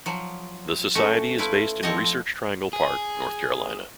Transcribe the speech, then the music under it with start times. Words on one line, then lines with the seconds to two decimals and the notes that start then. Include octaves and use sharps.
The Society is based in Research Triangle Park, North Carolina.
0.06 F3 F#3
0.95 A3 C#4 F#4
1.38 A3 E4 F4 B4
1.83 F3 C4 C#5 D#5 A5
2.73 G#4